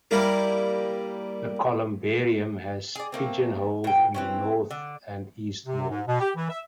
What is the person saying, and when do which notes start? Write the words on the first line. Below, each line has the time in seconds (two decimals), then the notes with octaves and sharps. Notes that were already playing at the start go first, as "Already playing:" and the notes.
The columbarium has pigeon holes in the north and east walls.
0.11 G3 A#3 E4 A#4
2.95 G#4 D5
3.12 A3 A#3 C4
3.84 B2 G5
4.14 E3 C4 C#4
4.71 D3
5.65 C3
5.89 G#2
6.07 B2
6.20 G4
6.36 E3
6.50 E5